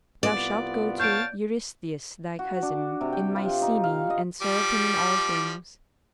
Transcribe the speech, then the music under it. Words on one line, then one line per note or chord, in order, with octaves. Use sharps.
Thou shalt go to Eurystheus, thy cousin, in Mycenae, and serve him in all things.
C2 B3 F4 D5
C#5 F5 A5 G6 D7
F#4
D4
C3
G5
F4
D#4
F5
D#5
F3 G3 D6